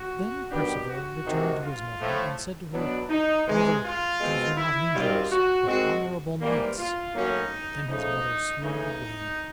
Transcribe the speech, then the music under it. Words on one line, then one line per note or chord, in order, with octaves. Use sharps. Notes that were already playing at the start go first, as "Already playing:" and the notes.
Then Perceval returned to his mother, and said to her, "Mother, those were not angels, but honorable knights." Then his mother swooned away.
Already playing: F#4
D#3 F#3 B3 D4 G4
F#4
C3 D#3 G#3
F4
A2 F3 A3
B2 F#3 B3 D4
D#4
C3 E3 G#3
F4
B2 G#3 C4
E4
F#2 D#3 G3 C4 F4
F#4
D#3 G#3 C4 F#4
G#2 E3 G3 A#3
F4
A2 F#3 A#3 C#4 D#4
C#3 F3 A3 D#4
C#3 E3 A3 D#4